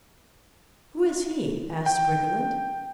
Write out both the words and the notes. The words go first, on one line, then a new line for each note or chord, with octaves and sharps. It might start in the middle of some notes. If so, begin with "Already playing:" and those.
"Who is he?" asked Briggerland.
G5